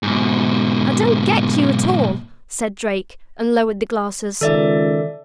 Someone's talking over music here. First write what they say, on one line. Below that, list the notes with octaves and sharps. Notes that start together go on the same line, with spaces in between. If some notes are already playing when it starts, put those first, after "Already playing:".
"I don't get you at all," said Drake, and lowered the glasses.
G#2 B2
C#2 D#3 A4 D5 E5